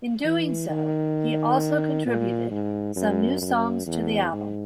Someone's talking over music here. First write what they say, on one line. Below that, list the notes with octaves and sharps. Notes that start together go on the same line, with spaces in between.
In doing so, he also contributed some new songs to the album.
E3
D#3
A#2
G#2
F#2
F#2
E2
G#2